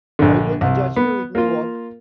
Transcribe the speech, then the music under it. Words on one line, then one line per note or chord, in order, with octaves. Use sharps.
Why don't you judge me with my work?
A#1 D3
C2
B3
A#3 F4